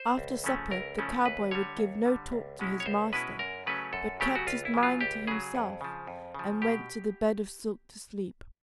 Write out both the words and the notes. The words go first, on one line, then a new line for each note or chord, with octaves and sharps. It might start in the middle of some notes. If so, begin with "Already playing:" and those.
After supper the cowboy would give no talk to his master, but kept his mind to himself, and went to the bed of silk to sleep.
Already playing: C5
C#2
C#3 F3 A3 C#4
C#2 A#4
C#3 F3 A3 C#4
D#2 B4
D3 G3 C#5
D#2
D3 G3
C#2
B2 G#3 C#4 E4
C#5
C#2 C5
B2 G#3 C#4 E4 B4
F#2 A#4
C#3 F#3 A3 C#4 B4
F#2 A4
C#3 F#3 A3 C#4 G4
F#4
C#2 F4
E4
C#3 F#3
F4
C#2 G4
C#3 F#3 G#4
F2
C#3 F3
F2
C#3 F3
B2 G4